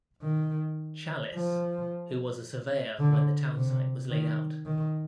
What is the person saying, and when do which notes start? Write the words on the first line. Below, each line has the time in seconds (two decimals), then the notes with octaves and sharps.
Challis, who was a surveyor when the townsite was laid out.
0.22 D#3
1.34 F3
2.99 D3
3.55 C3
4.10 D#3
4.66 D#3